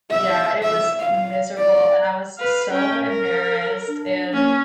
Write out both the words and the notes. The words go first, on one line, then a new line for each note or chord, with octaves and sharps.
Yeah, it was miserable, and I was so embarrassed, and,
E5
E5
F5
D5
B4 F5
C#4 G5
A#4
D4
A#3 C#4